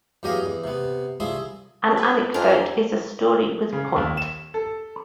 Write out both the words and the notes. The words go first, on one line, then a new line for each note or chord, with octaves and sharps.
An anecdote is a story with a point.
E2 F#3 G4 G#4 D#5 F5
E2
C3 B3
C2 F3 E4 G#4 C6
B4
F2 D4 F4 A#4 G#5
C#3
D#2
E7
A4